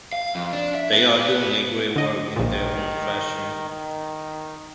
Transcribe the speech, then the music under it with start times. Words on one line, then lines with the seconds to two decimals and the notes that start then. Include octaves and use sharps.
They are doing a great work in their own fashion.
0.13 F5
0.35 F2
0.53 D4
0.75 E5
0.92 B3
1.11 B3
1.96 D3 D#5
2.36 A#1 A#2 D#3
3.69 D#3